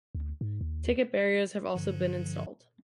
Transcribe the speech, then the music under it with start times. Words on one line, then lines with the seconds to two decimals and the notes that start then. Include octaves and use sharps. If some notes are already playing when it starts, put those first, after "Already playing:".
Ticket barriers have also been installed.
0.15 D2
0.41 G#2
0.61 D#2
1.75 G2 D3 F3